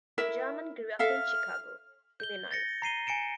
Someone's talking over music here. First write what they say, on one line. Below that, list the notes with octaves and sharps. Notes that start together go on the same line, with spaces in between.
Jarman grew up in Chicago, Illinois.
E4 A#4 E5
A4 E5 F5 F6
G6 G7
A6 A#6 C#7
A#5 C7 D#7 G7
G#5 C#7 D7 E7